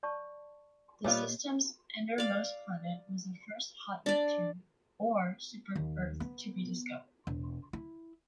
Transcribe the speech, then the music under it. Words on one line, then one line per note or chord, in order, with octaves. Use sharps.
The system's innermost planet was the first 'hot Neptune' or 'super-Earth' to be discovered.
D5 A5 C#6
A#2 G3 B3 F4 G4 C#5 D#5
D5 F5
D4 D5
D#2
B3
E1
E4